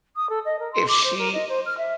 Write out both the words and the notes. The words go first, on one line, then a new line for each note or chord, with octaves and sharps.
if she
D#6
A4
D#5
A#4
C6
D6
C5
A#4
D#5
C5
F6
E5